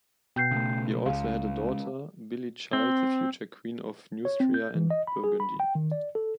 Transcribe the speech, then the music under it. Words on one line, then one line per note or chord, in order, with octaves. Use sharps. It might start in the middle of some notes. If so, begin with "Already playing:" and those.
He also had a daughter, Bilichild, the future Queen of Neustria and Burgundy.
B2 G5 G6 C7
C#3 A3
C#2 C#3 G#3 F5
C4
C#5
C4
G6
E3
D#5
B5
G#4
B5
G5
D#3
D5
A4